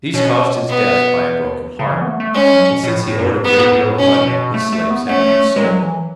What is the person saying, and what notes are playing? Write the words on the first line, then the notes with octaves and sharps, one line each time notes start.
These caused his death by a broken heart, and since he owed a great deal of money his slaves had to be sold.
B2 C#4
B3
C#3
E3
B3
A3
A3
G#3 C#4
F#3
B2
B2
A2
A2
F#2
G#2
B3
G#2
G#2
A2
B2 C#4
B2
A3
A3
B3
A3 C#4
A3
G#3
F#3
E3